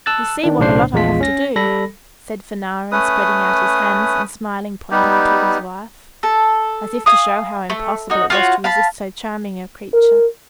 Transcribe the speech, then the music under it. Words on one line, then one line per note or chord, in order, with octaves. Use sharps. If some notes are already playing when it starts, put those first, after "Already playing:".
"You see what a lot I have to do," said Fanarin, spreading out his hands and smilingly pointing to his wife, as if to show how impossible it was to resist so charming a creature.
A5 E6 F#6 A6
D#3 D4
B1 A2 C#3 D4 C5 C7
A#1 E2 G#3 F4 B6
C#4 A#6
G3 A4 B5 A#6
A3 C#4 B4 D#6
G3 B3 D#4 G4
A4
F5 G#5 D#6
A3
D#4 F#4
F4 F#4 C#5
F5 A5 B5
A#4